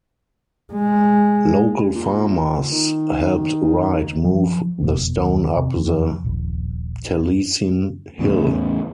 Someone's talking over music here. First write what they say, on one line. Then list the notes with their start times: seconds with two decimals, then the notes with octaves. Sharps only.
Local farmers helped Wright move the stone up the Taliesin hill.
0.73 G#3
1.95 A#2
2.72 D#3
4.25 F3 F#3
4.82 F1 E2 B2
5.17 D#2
5.57 C3
5.76 F2
6.24 D#1 A#1
8.19 E2 A2 C#3